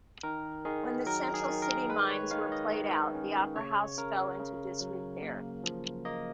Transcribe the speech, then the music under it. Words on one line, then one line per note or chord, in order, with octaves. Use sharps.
When the Central City mines were played out, the Opera House fell into disrepair.
D#3 A#4
D#3 G#4
F#3 A#4
G#4
D#3
A#4
G#3 B4
C#5
D#3 F5
D#5
D#3
C#4
C#3 C#5
C#3 A#4
C#3
F#3
A#3
F3
A#3 D#5